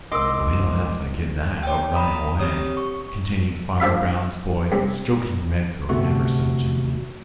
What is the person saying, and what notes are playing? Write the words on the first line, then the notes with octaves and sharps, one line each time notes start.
"We'll have to get that out right away," continued Farmer Brown's boy, stroking Redcoat ever so gently.
C2 G#2 D4 A#4 D#5 C6 D6 E6
C#5 G5
A#5 B5 D#6
C4 G4 C#5 D#6
C#6
F3 D4 F4 E5 B5
G2 C3
G1 C3 A3 F#4